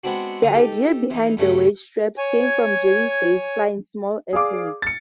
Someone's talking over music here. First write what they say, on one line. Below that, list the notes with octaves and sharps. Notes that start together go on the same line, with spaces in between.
The idea behind the weight straps came from Jerry's days flying small airplanes.
G#3 B3 C4 D4 F#4
D3 F5 D#6
D#4 G4 A4
E3 D#4
G2 C#3 A3 C#4
C#5 G#5
G#4 D5 F5 D6
A6 C#7